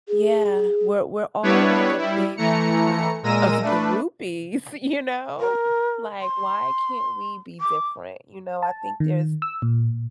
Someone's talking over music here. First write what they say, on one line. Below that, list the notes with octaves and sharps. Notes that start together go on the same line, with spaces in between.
Yeah, we're we're all like a big pot of groupies, you know? Like, why can't we be different, you know, I think there's
G#4
G3 B3 D4 E4 B4 C#5
G3 E4
E3 A3 A#5 C#7
A#2 G#3 A#4 E6 A#6 D#7
A3 D4 B4
A#4
C6
D6
A5
D#3
E6
A#2